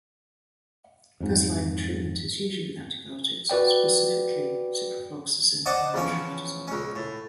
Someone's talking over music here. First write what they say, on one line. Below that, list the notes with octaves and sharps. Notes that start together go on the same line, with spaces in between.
First line treatment is usually with antibiotics, specifically with ciprofloxacin and metronidazole.
F2 G#2
F#4 B4 D5 G5
C5 D5 D#5 F#5 A5 D6
E2 F3 C#4 G5
C#2 C#4
A2